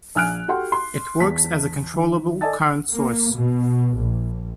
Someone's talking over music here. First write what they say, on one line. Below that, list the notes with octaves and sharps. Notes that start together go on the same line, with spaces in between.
It works as a controllable current source.
A#1 G#5 F6 F#6 D7
F#4 G4 A4 F#5 G5 C6
C6
E2 A5 B6
D#3
A4 D5 D#5 G#5 A5 A6
A#3
B2
A#1